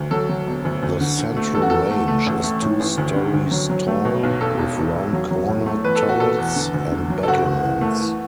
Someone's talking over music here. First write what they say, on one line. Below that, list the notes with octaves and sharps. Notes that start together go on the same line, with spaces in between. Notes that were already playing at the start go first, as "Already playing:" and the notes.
The central range is two storeys tall, with round corner turrets and battlements.
Already playing: D2
F#3 A4
F#3
E1
D2
D2
D3
D3
A3
E2 A4
F#4
E2 A4
A3
A3
A1
A3
A2
A1
D2
D3
D2
F#3
F#3
A3
B2
B1
E1 A4
E1
E1
E1
F#3
F#3
A2
A3
E2 B4
A4
E2
F#4
B2 A4
E2
D3
D2
D3
F#3
A4
F#1 F#4
F#1
E3
A3
E3